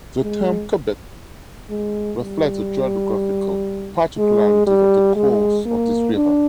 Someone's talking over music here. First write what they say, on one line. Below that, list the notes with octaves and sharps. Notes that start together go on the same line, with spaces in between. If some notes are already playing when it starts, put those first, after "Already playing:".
The term "cubit" reflects the geographical particularities of the course of this river.
G#3
G#3
G3
G#3
G3
G#3
A#3
D4